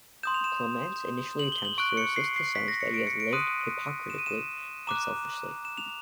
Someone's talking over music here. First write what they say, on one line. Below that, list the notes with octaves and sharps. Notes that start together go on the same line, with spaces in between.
Clamence initially attempts to resist the sense that he has lived hypocritically and selfishly.
C6 D#6 G6 E7
F7
E7
F#7
G7
F#7
C#6 F#6 D7
C#7
C7
C7
B6
A#6
C#7
D7
C#7
D7
C6 D#6 F#6 D#7
E7
D#7
E7
A#5 D6 F#6 E7
E7
F7